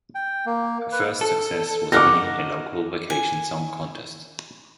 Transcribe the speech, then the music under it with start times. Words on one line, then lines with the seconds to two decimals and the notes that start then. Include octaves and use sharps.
Her first success was winning a local vacation song contest.
0.15 G5
0.46 A#3
0.92 B4
1.21 A4
1.92 D#4 C#5 F#5 D6 F6 A#6
3.10 G#5